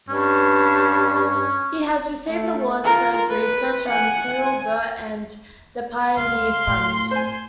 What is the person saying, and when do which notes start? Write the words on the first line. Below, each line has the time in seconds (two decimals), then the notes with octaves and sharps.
He has received awards for his research on Cyril Burt and the Pioneer Fund.
0.09 G2 C#4
2.28 A3
2.85 F4 A#4
3.30 B4
3.88 F#5 G#5
4.40 G#5
6.17 C#2 F5 C6
6.67 A2
7.11 C5 G#5